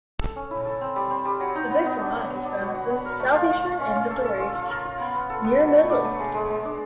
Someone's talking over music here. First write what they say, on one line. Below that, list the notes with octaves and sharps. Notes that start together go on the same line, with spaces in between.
The Victor Mine is found at the southeastern end of the range near Midland.
A4
C#4
E4
A4
C4
G3
C4
G3
F#3
D#4
B3
B3
D4
B3
B3
D4
F#4
F#4
B3
A#4
A3
F4
F4
F4
C#4
C#4
A4
A4
F4
F4
A#4
F4
B3
B3
A4
B3
F#3
A3
D4
A3
G#3
G#3
G#3
D4